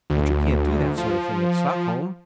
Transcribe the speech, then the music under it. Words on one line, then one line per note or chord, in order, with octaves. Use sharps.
"But you can't do that sort of thing at Stockholm!"
D2
F3